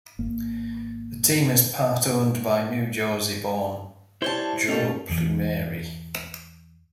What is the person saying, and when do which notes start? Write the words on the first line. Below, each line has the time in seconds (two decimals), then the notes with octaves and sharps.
The team is part-owned by New-Jersey-born Joe Plumeri.
0.19 G#1 A#3
4.22 G3 E4 C5 C#5 A5
4.68 B2 A3 C#4 G4
5.09 E2 E3